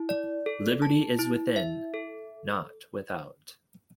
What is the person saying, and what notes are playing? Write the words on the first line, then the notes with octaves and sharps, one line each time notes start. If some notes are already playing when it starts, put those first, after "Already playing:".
Liberty is within — not without.
Already playing: E4
D5
A4
A5
E4
E5
A4